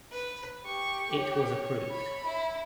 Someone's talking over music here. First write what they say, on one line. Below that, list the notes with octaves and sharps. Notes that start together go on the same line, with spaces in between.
It was approved.
B4
G4 C#6
C#5
B5
E4